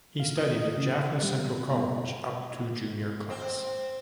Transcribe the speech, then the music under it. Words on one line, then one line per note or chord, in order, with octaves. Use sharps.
He studied at Jaffna Central College up to junior class.
F5
D#6
C#3
G3
B2
C4